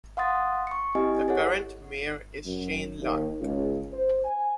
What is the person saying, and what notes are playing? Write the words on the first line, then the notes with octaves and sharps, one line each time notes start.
The current mayor is Shane Larck.
F5 F#5 C6 D#6 A6
C#6 C#7
C4 E4 G4 D#5 G#5
G#4 A4 C#5 F#5
F#2
D#2
C#2
C5
G#5